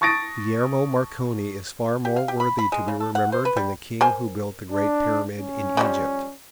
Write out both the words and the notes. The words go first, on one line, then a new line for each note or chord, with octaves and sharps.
Guglielmo Marconi is far more worthy to be remembered than the king who built the great Pyramid in Egypt.
A5 C#6 D#6 A6 A#6 D7
G4
F5
G4
B5
B5
G#3
C#3
A4
F#5
C5
B4
G3
A#4 C5 G#5
D4
C#4
E3 F3 G3